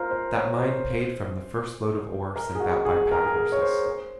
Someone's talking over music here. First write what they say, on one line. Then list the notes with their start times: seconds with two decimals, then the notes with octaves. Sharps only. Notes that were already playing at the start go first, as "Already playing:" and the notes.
That mine paid from the first load of ore sent out by pack-horses.'
Already playing: F4 A#4 C5
0.11 C5
0.36 C#5
0.61 C5
2.36 A#4
2.55 G#4
2.60 F#4
2.85 G#4
3.11 A#4
3.25 G#4
3.36 A#4
3.52 C#5
3.61 C5
3.86 C5